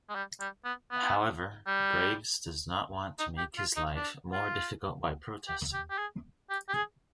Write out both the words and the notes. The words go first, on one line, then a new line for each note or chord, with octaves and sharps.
However, Graves does not want to make his life more difficult by protesting.
G#3
G3
G3
B3
B3
G3
D#4
G4
F4
D#4
D4
F4
G4
G4
G4
G#4
G4
G4
G#4